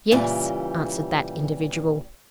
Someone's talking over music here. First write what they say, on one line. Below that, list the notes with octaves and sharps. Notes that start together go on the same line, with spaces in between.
"Yes," answered that individual.
A#2 C#3 E3 G3 G4